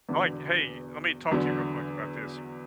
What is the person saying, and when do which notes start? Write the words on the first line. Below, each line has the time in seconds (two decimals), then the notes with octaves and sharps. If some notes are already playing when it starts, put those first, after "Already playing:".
I like, "Hey, let me talk to you real quick about this.
0.08 E1 E2 D3
1.31 E2 D3 F#3